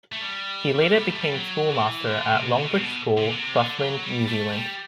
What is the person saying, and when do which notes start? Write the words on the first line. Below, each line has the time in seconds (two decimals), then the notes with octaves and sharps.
He later became schoolmaster at Longbush School, Southland, New Zealand.
0.12 A3
0.21 G3
0.97 B3
1.09 A3
1.21 G3
1.32 F#3
1.70 E3
2.07 D3
2.31 C3
2.56 B2
2.73 C3
2.81 B2
3.17 C3
3.29 D3
3.35 C3
3.55 D3
3.79 F#3
4.03 G3
4.29 A3
4.53 G3